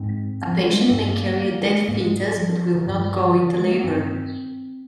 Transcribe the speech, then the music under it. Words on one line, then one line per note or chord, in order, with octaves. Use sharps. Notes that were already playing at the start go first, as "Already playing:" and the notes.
A patient may carry a dead fetus but will not go into labor.
Already playing: G#2 C4
F3
G3
G#3
A#3
G2 C4
A#3
A#3
A#3
G#3
G#2 A#3
G#3
G3
F3
D#3
G2 F3
G#3
G3
F3
D#3
F3
G#3
A#3
G2 C4